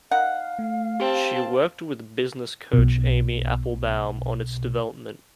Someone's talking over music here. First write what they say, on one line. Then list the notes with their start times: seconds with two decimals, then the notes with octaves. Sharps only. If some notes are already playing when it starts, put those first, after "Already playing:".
She worked with business coach Amy Applebaum on its development.
0.11 D#4 A#4 F5 F#5
0.59 A3
1.00 C4 G4 A5
2.73 B1 B2